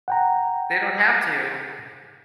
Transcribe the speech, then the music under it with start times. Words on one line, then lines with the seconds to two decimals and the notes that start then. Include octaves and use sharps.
they don't have to
0.08 F#5 G5 A#5